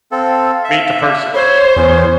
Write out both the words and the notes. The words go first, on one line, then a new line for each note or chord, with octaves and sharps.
meet the person.
C4 A4 F5
E5
C5 C#5 B5
E2 B3 C#4 C#5